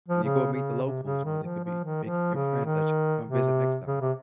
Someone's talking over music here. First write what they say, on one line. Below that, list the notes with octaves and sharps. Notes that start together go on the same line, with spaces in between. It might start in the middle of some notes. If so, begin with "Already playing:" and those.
And you go meet the locals, you know? They could be make your friends that you come visit next time.
F3
C#3
C#3
C3
C#3
D#3
F3
F3
D#3
F3
C#3
D#3
C3
C#3
C3